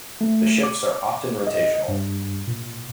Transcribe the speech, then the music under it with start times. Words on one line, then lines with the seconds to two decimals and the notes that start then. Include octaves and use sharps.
The shifts are often rotational.
0.21 A3
0.63 D6
1.47 D#5
1.88 G2
2.47 A#2